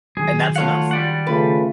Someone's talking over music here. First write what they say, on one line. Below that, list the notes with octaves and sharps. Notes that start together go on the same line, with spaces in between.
And that's enough.
D#3 F#3 G#4
A3 F4 C#5 F5 F#5
G3 D5 F#5
C#3 A3 F4 B4